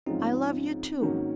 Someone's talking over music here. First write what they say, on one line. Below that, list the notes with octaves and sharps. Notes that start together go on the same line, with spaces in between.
I love you too....
G#2 F3 G#3 C4 C#4 D#4 F4
G#2 D#3 F#3 A#3 C#4